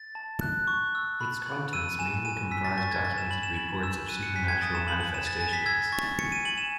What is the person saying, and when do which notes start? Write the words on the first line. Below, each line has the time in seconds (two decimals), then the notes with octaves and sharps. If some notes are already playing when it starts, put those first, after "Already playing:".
Its contents mainly comprised documented reports of supernatural manifestations.
Already playing: A6
0.15 A5
0.41 F#6
0.67 C#6
0.95 E6
1.21 B5
1.46 B5
1.73 E6 D#7
1.99 G#5 E7
2.25 G#5 D#7
2.51 E6 B6
2.65 A6
2.77 C#6 A6
2.91 G#6
3.03 E6 A6
3.18 E7
3.30 B5 F#7
3.43 E7
3.56 B5 F#7
3.83 E6 E7
4.08 F#6 D#7
4.23 C#7
4.35 G#5 B6
4.48 G#6
4.61 D#6 A6
4.75 E7
4.88 B5 F#7
5.01 F#7
5.14 G#5 E7
5.27 A6
5.40 G#5 A6
5.53 B6
5.66 E6 G#6
5.92 C#6 A6
6.19 G#5 C#7
6.32 D#7
6.45 G#5 F#7
6.58 E7